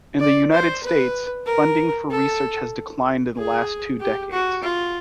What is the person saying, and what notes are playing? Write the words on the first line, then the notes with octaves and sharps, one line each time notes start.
In the United States, funding for research has declined in the last two decades.
D5
C5
B4
A#4
A4
G#4
G4
F#4
F4